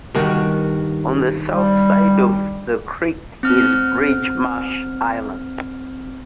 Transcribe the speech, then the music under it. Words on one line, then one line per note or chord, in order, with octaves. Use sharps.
On the south side of the creek is Bridgemarsh Island.
G2 D#3 F#4
G3
C4 F6